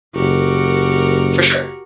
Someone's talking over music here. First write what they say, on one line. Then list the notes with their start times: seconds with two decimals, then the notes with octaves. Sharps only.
For sure.
0.15 F#1 F#4 G4 A#4